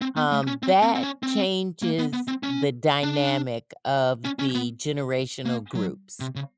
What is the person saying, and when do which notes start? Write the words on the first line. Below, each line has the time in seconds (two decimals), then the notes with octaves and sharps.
um, that changes the dynamic of the generational groups.
0.01 C4
0.17 B3
0.32 A3
0.47 C#4
0.63 C4
0.83 C4
0.95 C4
1.03 C#4
1.23 C4
1.82 A#3
1.99 B3
2.13 B3
2.28 C4
2.43 C#4
3.03 D4
4.25 C#4
4.39 C#4
4.55 B3
5.45 A#3
5.75 F#3
6.20 C3
6.36 C#3